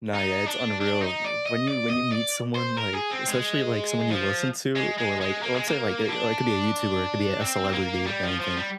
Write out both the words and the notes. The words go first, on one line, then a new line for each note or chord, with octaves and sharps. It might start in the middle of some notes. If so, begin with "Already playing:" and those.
Nah, yeah, it's unreal, w when you when you meet someone, like especially, like, someone you listen to, or, like, let's say, like, eh, like could be a YouTuber, it could be a celebrity or anything.
D#4
D4
D4
D#4
D5
D#5
D5
D#5
D5
C5
A#4
G#4
C4
G#3
F3
G#3
G#3
G#3
A#3
G#3
A#3
D4
C4
A#3
G3
F3
F3
G3